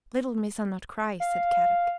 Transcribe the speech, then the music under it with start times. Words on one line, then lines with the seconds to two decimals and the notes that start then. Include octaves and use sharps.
"Little Missa not cry," said Kadok.
1.20 F5